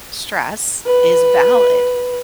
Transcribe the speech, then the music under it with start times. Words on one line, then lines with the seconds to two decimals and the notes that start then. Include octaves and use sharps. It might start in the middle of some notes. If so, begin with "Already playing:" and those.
stress is valid.
0.86 B4